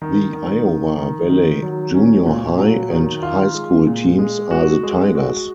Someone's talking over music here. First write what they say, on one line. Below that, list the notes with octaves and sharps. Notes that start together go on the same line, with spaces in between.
The Iowa Valley Junior High and High School teams are the Tigers.
D#3
D#3
D#3
D#3
D#3
F#3
C#4
A#2
F#3
D#3
F4
G#3
A#2
G#3
F#4
G#3
F#4